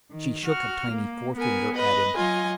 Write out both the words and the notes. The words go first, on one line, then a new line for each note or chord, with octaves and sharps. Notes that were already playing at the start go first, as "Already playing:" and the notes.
She shook a tiny forefinger at him.
D#3
F#4 F6
A#3
B3 A#4 G#5
B4 D#5
F#3 F4 D#5 G#5